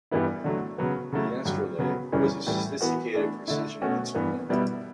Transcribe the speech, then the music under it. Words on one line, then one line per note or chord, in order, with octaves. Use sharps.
The astrolabe was a sophisticated precision instrument.
G2 E3 G3 B3 E4
D3 F#3 A3
C#3 F#3 B3
C#3 F#3 A3 E4
G2 D3 F#3
C#3 F#3 B3
F#2 C#3 E3 G3 C#4
A2 E3 G3
E3 B3 F#4
E3 A3 D4
D3 A3 E4
B2 A3 C#4 F#4
G2 E3 B3
B2 G3 B3 E4